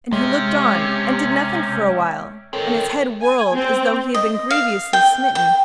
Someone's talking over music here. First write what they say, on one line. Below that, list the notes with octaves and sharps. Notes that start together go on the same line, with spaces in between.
And he looked on and did nothing for a while, and his head whirled as though he had been grievously smitten.
C3 G#3 C#4 C#5 E5 G5
D#3 C4 A4 A#4 C#5
G#5
C4
D#5
F5
G5
G5